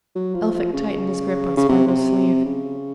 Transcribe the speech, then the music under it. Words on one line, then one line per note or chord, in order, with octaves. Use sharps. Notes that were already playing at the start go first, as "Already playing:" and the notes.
Elphick tightened his grip on Spargo's sleeve.
F#3
F3
F3
C#3
C#3
C3
C3
C#3